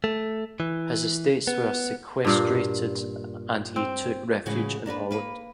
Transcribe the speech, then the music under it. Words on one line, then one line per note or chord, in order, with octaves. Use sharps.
His estates were sequestrated and he took refuge in Holland.
A3
E3
B3
G2 A#2 F5
C4
A2 C#3 E3 G#3 F#4
A#3 D4 A#4 B4
A#3 B4